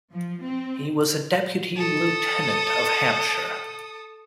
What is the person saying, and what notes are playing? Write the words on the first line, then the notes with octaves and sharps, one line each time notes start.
He was a Deputy Lieutenant of Hampshire.
F3
C4
A4 D#6